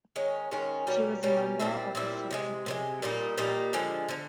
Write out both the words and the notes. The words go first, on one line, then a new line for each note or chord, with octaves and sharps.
She was a member of the Social Democratic Party.
D#3 G#3 C#4
D#3 G#3 C#4
B2 G3 A#3 C#4
B2 G3 A#3 C#4
A#2 G3 C4 E4
A#2 G3 C4 E4
C3 D#3 G#3
C3 D#3 G#3
A#2 G3 A#3 D#4
A#2 G3 A#3 D#4
D3 F3 G#3
D3 F3